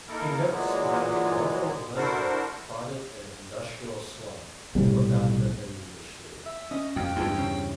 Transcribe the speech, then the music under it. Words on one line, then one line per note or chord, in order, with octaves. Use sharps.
He notes that a local resident called it an industrial slum without the industry.
A#3 D#4 E4 A4 A#4
A#2 E3 F#3 G#3 B3
D4 E4 F#4 A4 A#4 C5
B1 A2 C3 G3
E5
C#4 D#5
F2 G5
E2 G2 F4 A5
C#3 C4 C#4